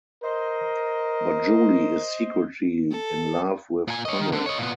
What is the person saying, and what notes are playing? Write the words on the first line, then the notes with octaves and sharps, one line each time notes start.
But Julie is secretly in love with Conrad.
A#4 C5 D#5
A4
A#2 G#5
C#5 D#5
D#3
D3
C#5 D#5
A#2 B3